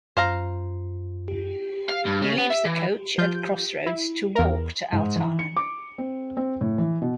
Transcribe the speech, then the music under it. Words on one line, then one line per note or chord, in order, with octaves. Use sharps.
He leaves the coach at the crossroads to walk to Altarnun.
F#2 F4 C5 F5 A#5
F5
G2
C#3
B3
E5
E3
F3 F4 G6
E4
E2 A#4
G#2
E3
C#7
D6
C4
C4
A2
E3
B2